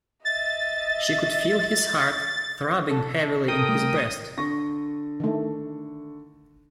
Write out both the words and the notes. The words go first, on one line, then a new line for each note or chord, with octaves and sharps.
She could feel his heart throbbing heavily in his breast.
D#5 E5 A6
A4
A#4 G5 D#6
G3 A3 G4
D3 C#6 A#6
D#3 A3